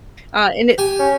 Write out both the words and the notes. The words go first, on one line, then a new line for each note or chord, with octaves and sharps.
Uh, and it
G4 G#5
C#4